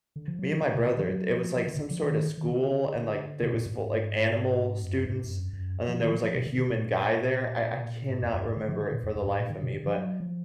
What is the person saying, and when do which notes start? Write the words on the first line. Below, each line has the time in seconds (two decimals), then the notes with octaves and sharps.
me and my brother, it was, like, some sorta school and, like, it was for, like, animal students, and then there was, like, a human guy there, I I cannot remember it for the life of me, but
0.16 D3
0.28 F3
0.39 F#3
0.51 F3
0.63 D3
0.74 B2
0.86 D3
0.98 F3
1.09 F#3
1.33 F3
1.56 F3
1.67 D3
1.75 B2
1.79 D3
1.91 F3
2.03 D#3
2.38 D#3
2.49 D3
3.43 B2
3.55 A#2
3.66 G#2
3.78 G#2
4.83 F#2
5.06 G#2
5.24 G#2
5.30 F#2
5.53 F#2
5.88 F3
6.00 D#3
6.12 F3
6.23 F3
6.35 B2
6.47 D3
6.58 B2
6.70 A#2
8.10 G#2
8.22 F2
8.34 F#2
8.45 G#2
8.57 D3
8.69 F3
8.80 D3
8.92 A#2
9.04 F2
9.15 F#2
9.27 G#2
9.39 A#2
9.50 D3
9.62 B2
9.74 D3
9.85 F3
9.97 F#3
10.20 F3